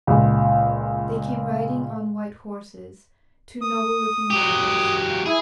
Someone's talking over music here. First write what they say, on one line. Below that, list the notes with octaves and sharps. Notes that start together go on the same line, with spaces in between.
They came riding on white horses, two noble-looking brothers.
C#2 A#2
D#6
F#3 G4
E4 G#4